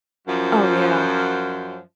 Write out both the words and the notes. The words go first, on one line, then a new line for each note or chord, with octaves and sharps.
Oh yeah.
F#2 F3